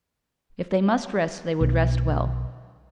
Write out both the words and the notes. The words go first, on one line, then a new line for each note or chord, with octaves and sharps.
If they must rest they would rest well.
B1